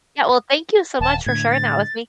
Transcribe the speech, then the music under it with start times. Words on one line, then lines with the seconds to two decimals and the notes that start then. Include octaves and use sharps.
Yeah, well, thank you so much for sharing that with me.
1.01 D#1 A5
1.26 A2 D3 G#6
1.50 A6